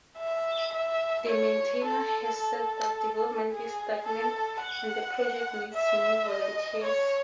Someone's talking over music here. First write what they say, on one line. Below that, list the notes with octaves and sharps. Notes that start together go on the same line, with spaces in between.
The maintainer has said that development is stagnant and the project needs new volunteers.
E5
E5
C#5
A4
A4
G#4
A4
F#5
E5
D#5
C#5